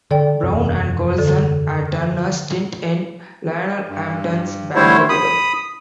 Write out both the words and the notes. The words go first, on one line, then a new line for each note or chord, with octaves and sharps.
Brown and Golson had done a stint in Lionel Hampton's band together.
D3 A4 D5 G5
F#1 E2 C3
D3 A4
G2
D3 G3 A3 E4 C5 C#5
B5 D#6